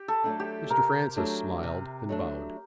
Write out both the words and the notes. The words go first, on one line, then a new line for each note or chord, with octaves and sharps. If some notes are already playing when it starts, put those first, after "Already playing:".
Mr. Francis smiled and bowed.
Already playing: G4
A4
F#3 A3 D4
G4
C3 A#4
F#3 A3 D4
C3
F#3 A3 D4